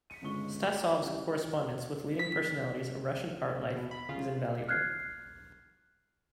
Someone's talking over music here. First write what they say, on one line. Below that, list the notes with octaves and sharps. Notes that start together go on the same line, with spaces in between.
Stasov's correspondence with leading personalities of Russian art life is invaluable.
B6 C#7 D#7
G1 C#3 G#3 F4 C#6 G7
A#5 D#7
C#3 E3 G3
B6
B2
B5
C#3 F4
F6 F#6 G#6 C7